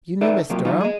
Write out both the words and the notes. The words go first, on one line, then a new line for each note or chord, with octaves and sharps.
"You knew Miss Durham?"
D#4 A4 B4 D5 E5
C3 F3 F#3 A#3 G4
G#2 E3 F#3 D#4 F4
G#4 D#5